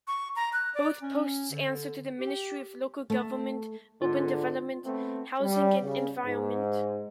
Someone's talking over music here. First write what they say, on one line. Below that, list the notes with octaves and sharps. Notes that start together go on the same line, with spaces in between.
Both posts answer to the Ministry of Local Government, Urban Development, Housing and Environment.
C#6
A#5
F#6
D5
C#4
D3
G4
A3
G#2 D3 F4
A3 B3 C4
G3
C#3
G#2